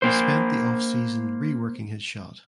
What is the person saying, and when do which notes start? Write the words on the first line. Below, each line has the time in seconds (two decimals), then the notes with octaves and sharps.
He spent the offseason reworking his shot.
0.02 A#3 C5